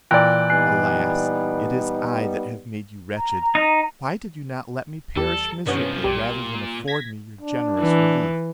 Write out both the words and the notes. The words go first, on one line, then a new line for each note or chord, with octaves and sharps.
Alas! it is I that have made you wretched! why did you not let me perish miserably, rather than afford me your generous relief?
A#2 E3 A#4 D5 G5 F#6
G3 B3 D#4 G#5 F#6 C7
A#5
D#4
E2 G3 A4
C2 G2 F3 B3 C#4
B1 A#2 G3 G4
G#6 A#6 B6
D4
E3